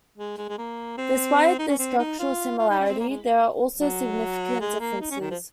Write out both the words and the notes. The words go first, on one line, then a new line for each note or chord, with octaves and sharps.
Despite this structural similarity, there are also significant differences.
G#3
G#3
G#3
A#3
C4
D#4
C#4
C4
D#4
F4
F4
D#4
C#4
C4
A#3
G#3
F#3
G#3
A#3
D#4
C#4
D#3
F3